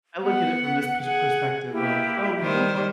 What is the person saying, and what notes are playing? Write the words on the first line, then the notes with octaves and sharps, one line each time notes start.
I look at it from this pers perspective of, "Oh, you know what?
B3 F#5
G#4 F#5
A#3 E4 G4
D#3 G3 C5